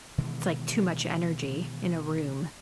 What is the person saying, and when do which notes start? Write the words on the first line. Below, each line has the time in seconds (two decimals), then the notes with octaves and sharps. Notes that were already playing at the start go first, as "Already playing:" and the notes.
it's, like, too much energy in a room.
0.18 B2 D#3 E3 G#3